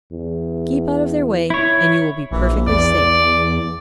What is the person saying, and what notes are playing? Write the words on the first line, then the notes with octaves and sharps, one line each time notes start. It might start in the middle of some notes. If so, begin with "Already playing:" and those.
Keep out of their way and you will be perfectly safe.
E2
E4 C#5
A#1 E3
E2 D5